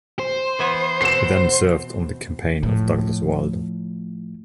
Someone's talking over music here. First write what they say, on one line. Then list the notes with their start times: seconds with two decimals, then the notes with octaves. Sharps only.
He then served on the campaign of Douglas Wilder.
0.19 C5
0.59 E3 B3 G#5
1.01 B2 C4 F#5 C7 E7
2.63 A2 F3